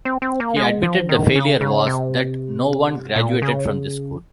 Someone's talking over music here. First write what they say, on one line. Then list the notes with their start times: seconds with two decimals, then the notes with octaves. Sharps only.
He admitted the failure was that no one graduated from this school.
0.05 C4
0.22 C4
0.40 A#3
0.57 G#3
0.83 F3
1.09 D#3
1.36 C#3
1.61 C#3
1.87 C3
3.16 A#2
3.42 C#3